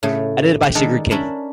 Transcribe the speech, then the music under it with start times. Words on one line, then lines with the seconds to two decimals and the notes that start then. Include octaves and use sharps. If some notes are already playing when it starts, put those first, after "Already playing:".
Edited by Sigrid King.
0.03 A2 C#3 A3
0.63 G4
0.75 D#3 G#3 D4 A4 A#4
1.11 C#4 D4 A#4 D5 E5 B5